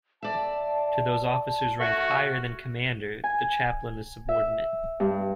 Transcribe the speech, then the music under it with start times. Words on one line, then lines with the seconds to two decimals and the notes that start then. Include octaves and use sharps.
To those officers ranked higher than commander, the chaplain is subordinate.
0.23 D5 E5 A5
1.79 A3 C#4 F#4 C#6
3.24 G#5
4.29 E5
5.00 G2